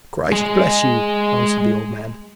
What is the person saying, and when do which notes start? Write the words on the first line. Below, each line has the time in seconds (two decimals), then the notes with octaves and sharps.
'Christ bless you,' answered the old man.
0.32 G#3 G#4